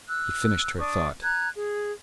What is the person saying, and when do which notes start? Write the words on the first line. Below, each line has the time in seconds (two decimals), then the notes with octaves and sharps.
He finished her thought.
0.07 E6 F#6
0.78 D4 C#6 D#6
1.22 A#5 F#6 G#6
1.53 G#4